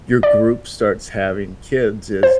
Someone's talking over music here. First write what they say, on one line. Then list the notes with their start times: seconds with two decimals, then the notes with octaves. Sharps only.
your group starts having kids is
0.23 D5
2.23 C5